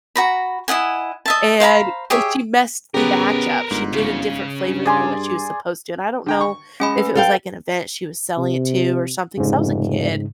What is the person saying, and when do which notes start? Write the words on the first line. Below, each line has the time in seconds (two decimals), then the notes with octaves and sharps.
And, so she messed the batch up, she did a different flavor than what she was supposed to. And I don't know if it was like an event she was selling it to or something. So I was a kid
0.16 F#4 A#5 B5
0.68 E4 D#5 F#5 G#5
1.26 D#5 E5 A5
1.60 C5 F5 A#5 B5
2.10 G4 G#4 C#5 E5
2.94 C#3 B3 G4 A#4 B4
3.71 G1 G#2
3.93 C#3
4.66 G2
4.86 G#4 D5 G#5 C6
6.26 D3 G5 A#5
6.41 C#6
6.80 G#3 C#4 D#5 G#5 B5
6.98 B4
7.15 A4 F5 G5
8.38 C3
9.37 F1 G#2 C#3